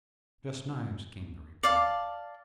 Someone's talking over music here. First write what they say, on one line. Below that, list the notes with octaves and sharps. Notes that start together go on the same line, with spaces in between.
"Just knives," came the reply.
D5 F5 A5